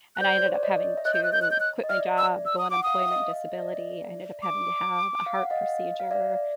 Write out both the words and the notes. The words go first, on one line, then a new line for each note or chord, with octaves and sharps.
and I ended up having to quit my job, go on employment disability, ended up having to have a heart procedure
F#6
C5 D5 G6
C5
C#5
D5
C#5 D#5
E5
C#5 D#5 F#6
G6
F#6
G6
F#6
G6
F#6
D#5
D5 E5 F6
E6
E6
D#6
F#5 D6
F5 D#6
E5
D#5 F5
D#5
D5 E5
D6
F5
F#5
D#5 F5
F5
D5 E5